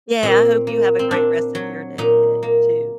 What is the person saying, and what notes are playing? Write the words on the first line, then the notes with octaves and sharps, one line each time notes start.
Yeah. I hope you have a great rest of your day to too.
A#2 C4
A#3
C4
A#2 D4
F#3
A#2 D#4
A#3